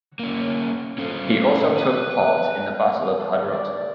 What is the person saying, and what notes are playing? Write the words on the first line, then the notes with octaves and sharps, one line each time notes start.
He also took part in the Battle of Hadrut.
A#3 C#4
C#4 A4 C5
B4
A5
D#3
D5
A3